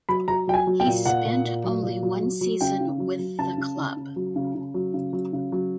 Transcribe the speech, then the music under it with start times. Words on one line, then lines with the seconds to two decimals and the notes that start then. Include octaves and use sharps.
He spent only one season with the club.
0.09 F#3 B5
0.28 F#3 A#5
0.47 F#3 G5
0.54 G#5
0.67 F#3
0.80 G5
0.86 A#2
1.06 A#2 F#5
1.25 A#2
1.44 A#2
1.64 F#3
1.83 A#2
2.03 F#3
2.22 F#3
2.41 F#3
2.61 C#3 G5
2.80 C#3
3.00 F#3
3.19 F#3
3.39 C#3 A5
3.58 C#3
3.77 C#3
3.97 C#3
4.16 F#3
4.36 C#3
4.55 C#3
4.74 F#3
4.94 C#3
5.13 F#3
5.33 C#3
5.52 F#3